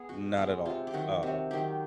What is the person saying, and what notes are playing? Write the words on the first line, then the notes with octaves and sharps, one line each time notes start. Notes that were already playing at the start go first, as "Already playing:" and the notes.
Not at all, um
Already playing: B3 G#4
B2 F#4
G#3 B3 F#4
C3 F4
G4
D#3 F#3 F#4
C3
D#3 F#3 G4